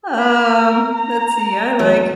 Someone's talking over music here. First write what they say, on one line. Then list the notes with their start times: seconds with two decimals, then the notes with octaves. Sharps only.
Um, let's see, I like
0.18 B5
0.55 A#4
0.94 A#5
1.79 E2 F#3